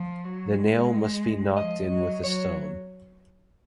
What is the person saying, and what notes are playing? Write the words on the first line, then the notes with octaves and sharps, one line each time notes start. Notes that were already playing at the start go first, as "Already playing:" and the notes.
The nail must be knocked in with a stone.
Already playing: F3
F#3
G#3
F3 D#5
F#3
F#3 C#5